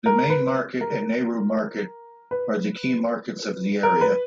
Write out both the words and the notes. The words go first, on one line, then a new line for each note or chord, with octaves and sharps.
The Main Market and Nehru Market are the key markets of the area.
A#4
B4
A#4
B4
A#4
B4